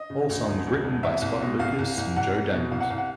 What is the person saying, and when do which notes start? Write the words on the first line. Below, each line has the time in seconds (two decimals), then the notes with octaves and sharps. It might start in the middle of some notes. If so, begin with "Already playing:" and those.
All songs written by Scott Lucas and Joe Daniels.
Already playing: D#5
0.10 C#3
0.29 D2
0.48 E1
0.66 D2
0.85 E1
1.03 C2 E5
1.22 C2
1.41 B2
1.59 C2 F5
1.79 C2
1.97 C2
2.16 C2 F#5
2.35 C2
2.53 B2
2.71 C2 F5
2.80 F#5
2.89 C2 F5
2.98 F#5